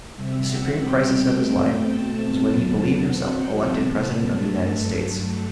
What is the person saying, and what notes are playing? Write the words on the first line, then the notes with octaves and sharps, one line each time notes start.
The supreme crisis of his life was when he believed himself elected President of the United States.
C3 G3 C4 E5
F#5
B2 G3 C4 G5
B2 A3 C4
B2 A3 C4 A5
A5
E2 D3 F#3 B3
B2 F#3 C4 F#5
G5
C3 E3 B3 A5
G2 F#3 A3